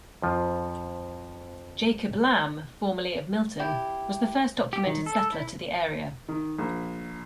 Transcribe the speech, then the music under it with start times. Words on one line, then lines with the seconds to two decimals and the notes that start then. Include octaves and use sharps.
Jacob Lamb, formerly of Milton was the first documented settler to the area.
0.22 F2 F3
3.59 E4 G4
4.73 G4
4.87 D#3
5.06 A4
5.32 E4
6.28 D#3
6.59 A#1